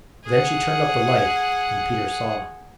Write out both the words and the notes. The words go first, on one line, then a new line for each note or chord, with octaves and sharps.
Then she turned up the light, and Peter saw.
G#4 F#5